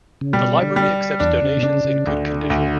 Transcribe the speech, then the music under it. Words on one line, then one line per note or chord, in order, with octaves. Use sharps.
The library accepts donations in good condition.
C#3
B2 G3
D3
G3
E2 D4
C#3
B2
C#3 D4
C#3
D2 D3
D2